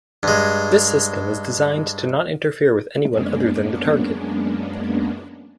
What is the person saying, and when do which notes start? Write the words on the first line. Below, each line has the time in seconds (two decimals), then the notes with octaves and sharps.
This system is designed to not interfere with anyone other than the target.
0.23 G2 G#3
3.10 F#2 G#3 A#3 B3 C#4 D4